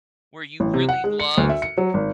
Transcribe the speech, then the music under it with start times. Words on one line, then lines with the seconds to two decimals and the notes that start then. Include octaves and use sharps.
where you really love
0.60 A1
0.74 C3
0.89 F#5
1.04 G#3
1.20 C#7
1.37 D2
1.49 E5
1.62 C#7
1.78 F#3
1.94 G#1